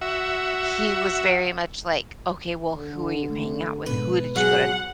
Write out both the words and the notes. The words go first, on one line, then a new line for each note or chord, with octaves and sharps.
he was very much, like, "Okay, well, who are you hanging out with? Who did you go to"
F#4 E5
D3
A3
G#2 B2 B4
F#3 G#4 F#5